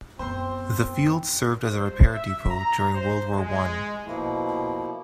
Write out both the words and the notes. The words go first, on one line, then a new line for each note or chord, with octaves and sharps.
The field served as a repair depot during World War One.
F#2 B3 C4 C5 C6
C5
E5
A#5
C5
G#3
B2 F3 A#3 E4